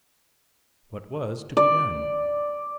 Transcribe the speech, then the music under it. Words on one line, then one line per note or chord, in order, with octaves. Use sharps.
What was to be done?
D5